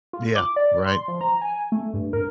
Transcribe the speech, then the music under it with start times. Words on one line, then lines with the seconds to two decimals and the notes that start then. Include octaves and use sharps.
Yeah. Right.
0.13 F4
0.36 D6
0.56 D5
0.85 C6
1.08 F3
1.21 A#5
1.41 G#5
1.72 A3
1.94 G2
2.13 A#4